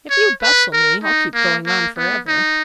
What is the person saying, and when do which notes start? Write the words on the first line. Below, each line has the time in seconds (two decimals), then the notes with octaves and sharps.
If you bustle me, I'll keep going on for ever.
0.10 C#5
0.42 B4
0.73 A#4
1.04 D#4
1.34 A#3
1.66 A#3
1.97 B3
2.27 D#4